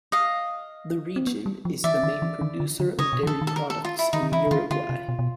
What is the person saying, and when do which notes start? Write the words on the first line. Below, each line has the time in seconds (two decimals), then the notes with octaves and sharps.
The region is the main producer of dairy products in Uruguay.
0.12 D#5 F5
1.16 C4
1.27 B3
1.46 G3
1.65 F3
1.84 E3 D5 E5
2.03 D#3
2.22 E3
2.41 D#3
2.60 D3
2.80 D3
2.99 C#3 C#5 D#5
3.13 B2
3.23 E3
3.27 D#3 A4
3.42 D#3
3.47 A4
3.56 A#4
3.70 A4
3.85 F4
3.99 E4
4.13 D#3 D#4
4.23 D#3
4.32 E3 E4
4.47 D3
4.51 D#3 F4
4.71 D3 F4
4.89 C3
5.09 B2
5.19 B2